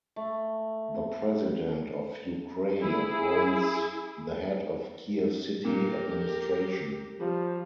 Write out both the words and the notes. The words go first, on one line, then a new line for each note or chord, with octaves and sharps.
The President of Ukraine appoints the Head of Kiev City Administration.
A3
E4 G#4
A#2 A#3 G4 A#4
F3 G3